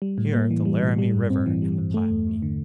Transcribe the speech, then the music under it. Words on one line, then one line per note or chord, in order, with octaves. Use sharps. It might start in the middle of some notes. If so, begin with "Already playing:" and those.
Here the Laramie River and the Platte meet.
G3
A2
A#3
E3
G3
A2
G3
G2
C4
E3
G3
G2
A3
E2
E2
D3